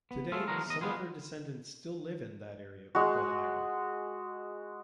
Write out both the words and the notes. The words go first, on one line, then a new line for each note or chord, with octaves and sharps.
Today, some of her descendants still live in that area of Ohio.
B3
A3 F4 G#4 A4
E3 F#3 G#3 A3 A#4
E2 D#5
F3 G3 B3 F4 G#4
G#3 F#4